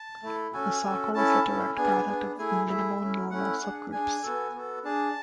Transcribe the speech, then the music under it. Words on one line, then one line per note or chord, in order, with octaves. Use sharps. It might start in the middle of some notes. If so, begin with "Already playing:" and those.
The socle is a direct product of minimal normal subgroups.
Already playing: A5
A3 E4 A4
C#4 F#4 A4 G#5
C#4 F#4 A4
C#4 E4 A4 A5
C#4 E4 A4
B3 D4 G#4 G#5
B3 D4 G#4
A3 E4 G#4 G#5
A3 E4 G#4 E5
A3 C#4 E4
A3 C#4 E4 F#5
D4 G#4
D4 G#4 G#5
B3 F#4 A4
B3 F#4 A4
D4 G#4 A5